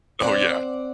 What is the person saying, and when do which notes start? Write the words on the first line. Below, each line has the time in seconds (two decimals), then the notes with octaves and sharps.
Oh, yeah.
0.22 C4 D5 F#5